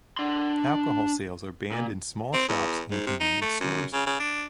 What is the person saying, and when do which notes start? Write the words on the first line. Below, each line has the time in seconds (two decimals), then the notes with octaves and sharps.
Alcohol sales are banned in small shops and convenience stores.
0.17 D4 C6
1.72 A#2
2.34 C4
2.49 E2
2.91 G#2
3.07 C3
3.20 D#4
3.42 A3
3.61 F#2
3.93 C#3
4.07 C#3
4.20 D4